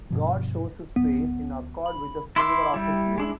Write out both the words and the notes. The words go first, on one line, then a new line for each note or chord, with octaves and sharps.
God shows his Face, in accord with the favour of his will.
G2 B2 F3
D1 B3
B5
E4 C6 D6 E6
G3 E4
G#3 D4 E4